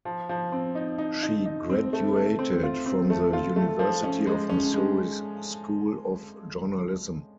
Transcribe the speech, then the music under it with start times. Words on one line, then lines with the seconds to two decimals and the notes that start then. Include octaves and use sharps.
She graduated from the University of Missouri's School of Journalism.
0.05 F3
0.29 F3
0.52 C4
0.75 D#4
0.98 D#4
1.23 D#4
1.46 D#4
1.70 C4
1.93 A3
2.16 A3
2.39 C4
2.63 F4
2.86 C4
3.10 A3
3.33 F4
3.56 A3
3.79 F3
4.04 C#4
4.27 G#3
4.50 C#4
4.74 G#3